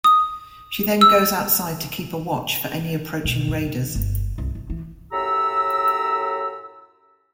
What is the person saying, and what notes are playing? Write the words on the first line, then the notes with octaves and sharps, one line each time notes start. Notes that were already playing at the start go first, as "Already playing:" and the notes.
She then goes outside to keep a watch for any approaching raiders.
D#6
E6
B2
F#2
D#3
G1
C2
C2
E3
F#2 A2 G4 A4 A#5 E6